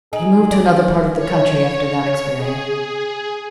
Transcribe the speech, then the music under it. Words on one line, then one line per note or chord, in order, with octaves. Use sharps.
He moved to another part of the country after that experience.
D#4 G#4 G#5 F#7
D5
C#5
G#4